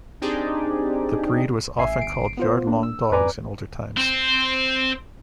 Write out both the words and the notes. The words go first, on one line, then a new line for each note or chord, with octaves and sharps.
The breed was often called "yard-long dogs" in older times.
C4 D4 D#4 G4 G#4 D5
A1 E5 G#5 C7
G1 C7 D7
B3 F4 C5
A#3 D4
E6
F2 B4 D5 G#5 A#5 D6
C4 C5